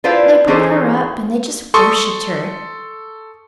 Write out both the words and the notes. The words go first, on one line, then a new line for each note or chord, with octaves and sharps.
They brought her up and they just worshipped her.
D4 E4 F4 B4 C5 F5
E3 C#4 D#4 G#4 A4 C5
A4 C6 C#6 D#6